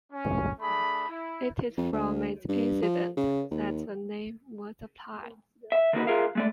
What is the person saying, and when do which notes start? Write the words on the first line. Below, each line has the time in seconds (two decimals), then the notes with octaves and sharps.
It is from this incident that the name was applied.
0.12 C#4
0.60 A3 D4 G#4 B5
1.08 E4
1.78 F2
1.93 D2
2.49 G2
2.83 F3
3.17 C#3
3.51 D#2
5.72 E5
5.93 D3 D#3 A#3 D#4 F#4 B4
6.07 F4 G#4 A#4 E5 F5
6.35 G#3 A3 D5